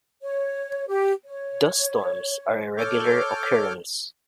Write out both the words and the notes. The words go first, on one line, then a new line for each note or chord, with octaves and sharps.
Dust storms are a regular occurrence.
C#5
G4
C#5
A4 C#5 D6 F6 G6